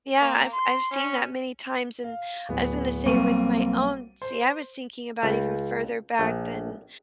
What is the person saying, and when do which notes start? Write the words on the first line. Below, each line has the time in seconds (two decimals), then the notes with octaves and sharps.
Yeah, I've I've seen that many times, and I was gonna say with my own See, I was thinking about even further back than
0.21 A#3
0.53 C6
0.91 C#4
2.04 F5
2.49 D1 B3
3.06 B1 G3 A#3 C4 C#6 D#7
4.22 C5
5.23 C#2
6.19 A#1